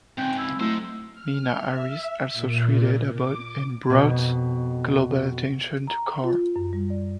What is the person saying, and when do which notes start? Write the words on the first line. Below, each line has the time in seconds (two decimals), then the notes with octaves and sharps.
Meena Harris also tweeted about and brought global attention to Kaur.
0.18 C#2 G#2 C4 G5 G#5
0.38 E4
0.60 F#3 A3 D#4 E4 C5 E5
1.10 F6
1.56 E5
2.32 A#2
3.13 D6
3.90 F2 B2
5.87 A#5
6.24 F4
6.56 F#2
6.73 G3
6.90 D5